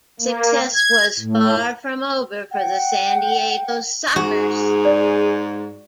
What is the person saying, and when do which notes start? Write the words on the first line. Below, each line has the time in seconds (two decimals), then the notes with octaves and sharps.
Success was far from over for the San Diego Sockers.
0.20 A#3
0.73 G#6
1.19 A2
2.52 F#5 G5
4.16 G#2 F#4 G#4
4.85 D5